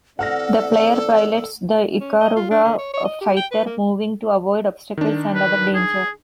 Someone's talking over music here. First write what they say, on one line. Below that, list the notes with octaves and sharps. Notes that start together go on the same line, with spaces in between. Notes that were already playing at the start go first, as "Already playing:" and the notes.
The player pilots the Ikaruga fighter, moving to avoid obstacles and other danger.
E3 C4 A4 D5 F#5 F6 A#6
C#4
D#5
F4
D4
D3
C#5
C#5
D#5
G4
G5
B4
A#3
D#3 D4
B4
G#4